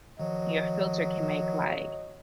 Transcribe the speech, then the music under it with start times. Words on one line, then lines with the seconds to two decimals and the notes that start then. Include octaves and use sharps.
your filter can make, like,
0.19 D#3 F3 F#3 D#5